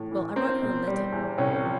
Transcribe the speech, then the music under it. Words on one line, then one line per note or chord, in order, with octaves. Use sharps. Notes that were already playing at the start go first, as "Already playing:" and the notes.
Well, I wrote her a letter.
Already playing: A2 E3
E3
A#3 C4
B2
G3
E2
C2 C#4
F3